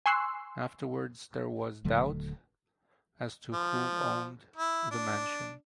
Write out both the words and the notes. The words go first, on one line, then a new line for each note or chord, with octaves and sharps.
Afterwards there was doubt as to who owned the mansion.
G#5 C6 C#6 E6 F#6 C7
D#1 D3 F#3 A3
F3
E4
D4